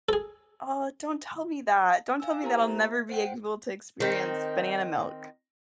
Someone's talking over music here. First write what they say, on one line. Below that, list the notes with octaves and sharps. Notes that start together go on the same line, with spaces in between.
Oh, don't tell me that. Don't tell me that I'll never be able to experience banana milk.
G#4 A4
F5 G#5 E6
E4 G4 A#4 C5 A#5
A#3 E5
C5 F#5 G5
D#3 C4